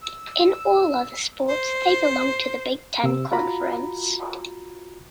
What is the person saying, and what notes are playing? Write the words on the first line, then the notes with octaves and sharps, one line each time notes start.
In all other sports, they belong to the Big Ten Conference.
E6
C5
C3 E6
F4 F#4 A#5 B5